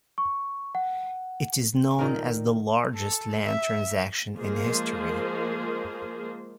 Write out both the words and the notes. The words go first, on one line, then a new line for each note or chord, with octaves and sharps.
It is known as the largest land transaction in history.
C#6
F#5
A#2 D#3 A#4
A4
E5
F3 G#3 A#3 F4 G#4 C5